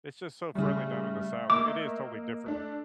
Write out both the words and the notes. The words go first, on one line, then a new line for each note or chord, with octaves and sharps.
it's just so friendly down in the South, i it is totally different.
C#3 G3 A3
A#3 D#5 D6 E6
A3 D4